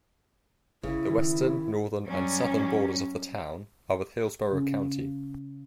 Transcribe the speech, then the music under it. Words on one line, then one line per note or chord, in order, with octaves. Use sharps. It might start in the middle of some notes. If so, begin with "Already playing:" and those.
The western, northern, and southern borders of the town are with Hillsborough County.
G1 C#3 E4
D#3
F#2 F#3 G3 C#4
C#3